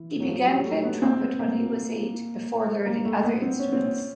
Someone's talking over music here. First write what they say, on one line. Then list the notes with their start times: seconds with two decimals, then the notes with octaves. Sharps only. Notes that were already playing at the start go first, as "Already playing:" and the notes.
He began playing trumpet when he was eight, before learning other instruments.
Already playing: E3
0.20 F#3
0.28 F3
0.38 F#3
0.46 G3
0.56 F#3
0.65 A3
0.84 B3
1.02 C4
1.20 B3
1.39 A#3
2.86 A#3
3.05 A3
3.23 B3
3.42 C4
3.60 C#4
3.72 C4
3.87 C#4